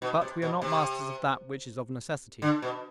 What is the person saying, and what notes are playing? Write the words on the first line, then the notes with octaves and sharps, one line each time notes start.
But we are not masters of that which is of necessity.
B2
C3
B2
C3
D3
B2